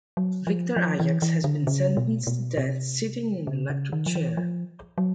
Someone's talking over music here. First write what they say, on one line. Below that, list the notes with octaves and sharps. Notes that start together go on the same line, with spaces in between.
Victor Ajax has been sentenced to death, sitting in an electric chair.
F#3
F3
F3
E3
E3
D3
C#3
B2
B2
C3
C#3
C#3
D#3
F3
E3
F3
F#3